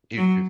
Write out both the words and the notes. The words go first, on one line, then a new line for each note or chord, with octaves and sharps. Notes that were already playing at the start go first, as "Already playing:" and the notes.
You too.
F#3